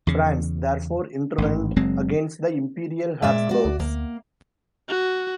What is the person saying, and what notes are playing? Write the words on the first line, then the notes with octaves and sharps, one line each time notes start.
France therefore intervened against the Imperial Habsburgs.
E2 C#3
A1 G#2
F#1 F#3 G#3 C4
A#2 G#3 D5 E5
F#4 D5
D2
D2 A#3
F#4